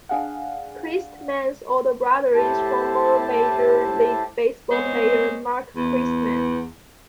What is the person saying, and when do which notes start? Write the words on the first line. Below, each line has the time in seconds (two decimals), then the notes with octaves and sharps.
Christman's older brother is former Major League Baseball player Mark Christman.
0.09 D4 G#4 F5 F#5
2.35 A2 E4 G4 C5 A5
4.70 G#3 B3 C4 C5 C#5 D#5
5.76 E2